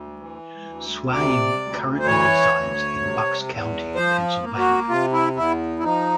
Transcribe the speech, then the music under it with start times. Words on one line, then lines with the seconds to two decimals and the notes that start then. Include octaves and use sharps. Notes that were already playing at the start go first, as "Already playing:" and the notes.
Swaim currently resides in Bucks County, Pennsylvania.
Already playing: D2
0.19 E3
0.66 D2
1.12 C3 D5
1.60 D2
2.00 C5
2.07 E3 C#5
2.54 D2
3.01 C3
3.48 E2
3.95 F3 C5
4.43 A#3
4.58 F#4
4.89 C3 F4
5.12 E4
5.36 E2 E4
5.79 E4
5.84 F3 D#4